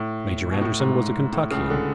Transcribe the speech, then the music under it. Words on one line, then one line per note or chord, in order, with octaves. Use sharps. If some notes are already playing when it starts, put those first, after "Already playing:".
Major Anderson was a Kentuckian.
Already playing: A2
B2
A2
G#2
A2
C#2 C#3
D3